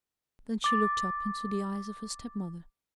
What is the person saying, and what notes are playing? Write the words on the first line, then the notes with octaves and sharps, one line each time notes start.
Then she looked up into the eyes of her step-mother.
D6 A6